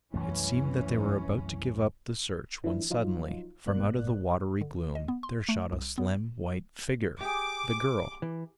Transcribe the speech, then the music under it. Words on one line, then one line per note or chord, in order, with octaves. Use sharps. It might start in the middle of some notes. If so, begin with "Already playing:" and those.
It seemed that they were about to give up the search when suddenly, from out of the watery gloom, there shot a slim white figure--the girl!
C2 F#2 E3 A3 C#4
E3 F3 A3 D4 E4
F3 F#3 D#4 F4
G1 G#2 B2 A#3 D5 F#6
D3
D#5
B3
C6
A3
C2
B3
G4 G#4 D6
E3